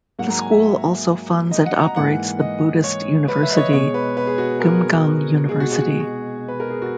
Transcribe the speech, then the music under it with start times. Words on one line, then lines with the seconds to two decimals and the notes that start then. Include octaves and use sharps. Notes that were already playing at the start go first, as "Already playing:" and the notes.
The school also funds and operates the Buddhist university, Geumgang University.
0.19 G#2 F#3 A#3 F#5
0.30 A#5
0.40 G#5
0.51 E5
1.51 D#5
1.66 F#5
1.81 A#5
1.96 G#2 E3 A#3 F#5
2.39 D#5
2.84 C#5
3.28 B4
3.43 E5
3.53 D#5
3.57 C#5
3.72 B2 G#3 C#5
3.94 B4
4.17 B4
4.27 G#4
4.38 F#4
4.60 A#4
5.49 B2 G#3 G#4
5.60 F#4
5.71 G#4
5.82 F#4
6.00 F#4
6.48 B4
6.60 A#4
6.70 G#4
6.82 F#4